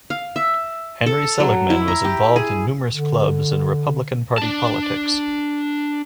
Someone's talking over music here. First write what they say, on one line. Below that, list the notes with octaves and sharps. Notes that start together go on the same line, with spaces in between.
Henry Seligman was involved in numerous clubs and Republican Party politics.
F5
E5
A4
F#3
E4
A#5
G4
G#4
D3
D4 A5